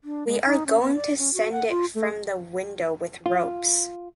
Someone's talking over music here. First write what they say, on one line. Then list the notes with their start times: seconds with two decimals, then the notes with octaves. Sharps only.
We are going to send it from the window with ropes.
0.04 D4
0.27 G#3
0.45 D#4
0.66 C#4
0.81 B3
0.95 D5
1.18 C#4
1.34 F#4
1.52 F#5
1.69 F4
1.95 A3
3.26 F4